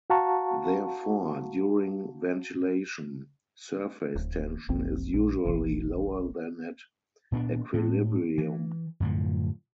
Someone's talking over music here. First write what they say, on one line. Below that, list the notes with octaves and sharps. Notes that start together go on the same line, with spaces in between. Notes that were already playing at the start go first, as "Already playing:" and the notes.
Therefore, during ventilation, surface tension is usually lower than at equilibrium.
F#4 F5 F#5 A5 A#5 C#6
D1
F1 B1 F2 C4
A#1
E1 A#1 A#2 E3
A#2 B3 C4 D4
A2
E3
F#2 A2 D3 F3